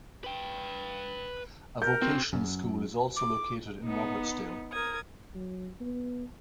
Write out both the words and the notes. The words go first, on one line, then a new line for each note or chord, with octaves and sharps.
A vocational school is also located in Robertsdale.
B4 G5
A#4 G6
C4 F#4 G#4
F#2
D6
B3 D#4
A#4 D#6 G#6
F#3
B3